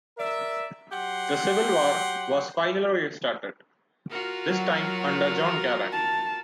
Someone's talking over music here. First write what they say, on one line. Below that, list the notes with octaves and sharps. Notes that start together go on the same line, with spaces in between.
The civil war was finally restarted, this time under John Garang.
A#4 D5 E5
F#3 G4 F#5 C6
F4 F#4 A#4
F#3
A5